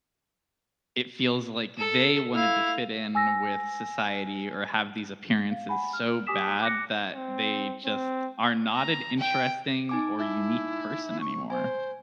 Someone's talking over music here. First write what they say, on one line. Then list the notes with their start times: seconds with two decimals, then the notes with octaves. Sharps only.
it feels like they wanted to fit in with society, or have these appearances so bad that they just are not an interesting, or unique person anymore.
1.78 A4
2.35 E4 F5
3.15 G#5 E6 A#6
5.51 F5
5.69 F#5 G#5 B5
5.93 F6
6.27 G4 G#5 D6 D#6 B6 E7
6.62 D6 F#6 A#6 C#7
7.15 C4
7.85 C4
8.75 A#5
9.18 G5
9.89 D#4 G#5 D6
10.17 E4
11.20 C#6
11.50 C5 G#5